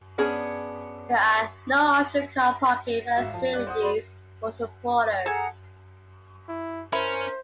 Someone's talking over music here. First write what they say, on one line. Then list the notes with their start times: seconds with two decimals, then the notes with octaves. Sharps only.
There are no official car parking facilities for supporters.
0.18 B3 C#4 D4 G#4
3.04 F#5
3.16 G#1 F#4 E5 F5
3.34 F3 A5
3.53 G3 D5 F#6
3.67 C5 F#5 D#6
3.83 D5 B5 C6
5.26 G#4 A4 F#5 G#5 A#5
6.48 E4
6.93 C#4 E4 A#4 C5